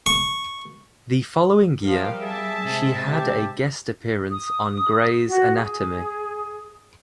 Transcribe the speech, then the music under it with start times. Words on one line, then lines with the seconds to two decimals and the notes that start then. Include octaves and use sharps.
The following year, she had a guest appearance on "Grey's Anatomy".
0.06 C#6
1.82 F3 G3 A#4 F5
2.20 G#4 E5 A5
2.62 C3 G#3
3.07 G4
4.31 D#6
5.27 F#4
5.56 G#4